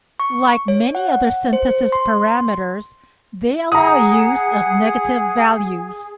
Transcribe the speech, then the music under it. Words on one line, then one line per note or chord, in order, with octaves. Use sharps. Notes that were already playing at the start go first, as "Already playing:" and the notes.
Like many other synthesis parameters, they allow use of negative values.
C#6
C#5
F#5
C5
C6
G#4 F#5 A#5 D#6